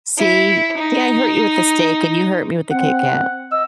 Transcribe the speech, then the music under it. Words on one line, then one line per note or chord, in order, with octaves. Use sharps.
See see, I hurt you with the steak and you hurt me with the KitKat.
E4
D#4
C4 F#5
D#5 E6